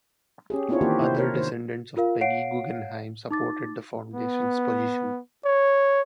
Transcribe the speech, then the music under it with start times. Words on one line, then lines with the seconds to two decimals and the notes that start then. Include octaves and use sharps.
Other descendants of Peggy Guggenheim supported the foundation's position.
0.50 C#4 G4 G#4
0.69 B3 C4 D4 E4 F4 C#5
0.81 D#3 E3 A#3 C4 F#4 G4
1.00 C3 E4 C5
1.18 A#4 C#5
1.34 D#3 C5
1.97 F4 A#4 F5
2.21 C#5 F5 F#5 C7 D7
3.31 D#4 D6 A6
4.14 B3
5.45 C#5